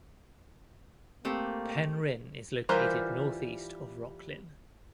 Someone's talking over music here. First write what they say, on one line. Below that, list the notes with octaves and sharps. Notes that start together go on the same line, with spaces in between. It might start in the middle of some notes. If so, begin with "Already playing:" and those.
Penryn is located northeast of Rocklin.
A3 A#3 C4 G4
E3 G3 F4 A#4 C5